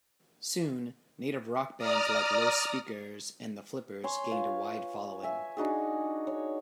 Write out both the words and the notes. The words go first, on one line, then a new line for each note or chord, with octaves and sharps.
Soon, native rock bands like Los Speakers and The Flippers gained a wide following.
D5 A#5 D#6 F6
C#5 G#5 C6 C#6
F4 B4 F5
E5 G#5
D4 D#4 F#4 G#4
C#5